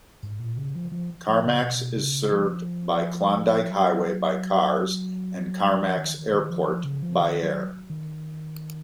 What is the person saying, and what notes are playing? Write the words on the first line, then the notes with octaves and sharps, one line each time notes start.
Carmacks is served by Klondike Highway by cars and Carmacks Airport by air.
G#2
A#2
C#3
F3
F3
F3
C#3
B2
C#3
F3
F#3
F#3
F3
D#3
D#3
F3
F3
C#3
F3
D#3
F#3
D#3